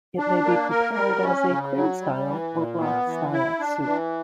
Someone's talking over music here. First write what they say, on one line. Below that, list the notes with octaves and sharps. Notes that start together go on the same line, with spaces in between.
It may be prepared as a cream-style or broth-style soup.
D4
A#3
A#4
G3
C#4
C#3
F#3
G3
E3
A#2
B3
E3
E4
D4
E3